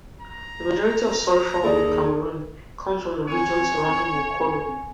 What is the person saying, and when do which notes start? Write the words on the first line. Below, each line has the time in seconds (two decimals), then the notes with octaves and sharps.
The majority of soy found in Cameroon comes from the region surrounding Mokolo.
0.21 A#5
1.63 D#2 G#4 A4 D5 D#6
3.28 C4 C#5 G#5